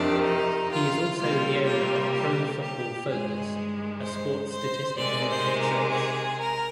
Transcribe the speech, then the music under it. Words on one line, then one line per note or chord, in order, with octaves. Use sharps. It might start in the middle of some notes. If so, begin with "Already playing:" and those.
He is also the owner of Pro Football Focus, a sports statistic monitoring service.
Already playing: F2 C3 D#3 D4
D#4
F4
C3 G3 A#3 F4
F4
G4
G4
G2 D#3 G#3 G#4
C5
C5
C3 D#3 G#3 D5
C5
A#4
G#4
A#4